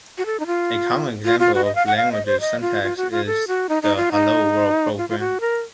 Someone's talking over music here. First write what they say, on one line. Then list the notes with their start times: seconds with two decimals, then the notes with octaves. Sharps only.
A common example of a language's syntax is the Hello world program.
0.18 F#4
0.26 A4
0.40 D#4
0.47 F4
1.25 F4
1.39 F4
1.55 F#4
1.65 D#5
1.75 F5
1.87 F#5
1.97 F5
2.12 D#5
2.26 C5
2.40 D#5
2.61 F4
2.83 F4
2.97 F#4
3.11 F4
3.26 A4
3.48 F#4
3.69 D#4
3.83 D#4
3.97 F4
4.12 D#4
4.98 F4
5.09 F4
5.19 F#4
5.41 A#4